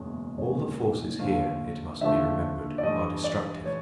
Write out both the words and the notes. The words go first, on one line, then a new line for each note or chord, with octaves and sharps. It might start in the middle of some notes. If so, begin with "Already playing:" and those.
All the forces here, it must be remembered, are destructive.
Already playing: F#1 E2 B2 G#3 C#4
F#1 E2 B2 G#3 C#4
D#2 D3 F3 A3 F5
D#2 D3 F3 A3 E5
D5
G2 E3 A3 D#5
D5
E3 A3 C#5